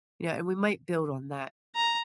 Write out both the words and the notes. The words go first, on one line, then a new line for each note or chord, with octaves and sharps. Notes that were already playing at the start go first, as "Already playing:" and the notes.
you know, and we might build on that.
A#5